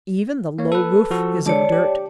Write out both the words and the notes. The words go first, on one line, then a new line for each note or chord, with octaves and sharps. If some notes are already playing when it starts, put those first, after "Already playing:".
Even the low roof is of dirt.
A#3 C#5
A4 B4
F3 F#4 A4
D3 G#3 C#5 D5 A5
G4